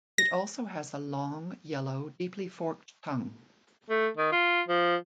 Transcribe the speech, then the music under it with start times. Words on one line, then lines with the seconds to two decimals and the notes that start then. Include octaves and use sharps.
It also has a long, yellow, deeply forked tongue.
0.18 A#6
3.90 A3
4.17 D#3
4.32 F4
4.68 F3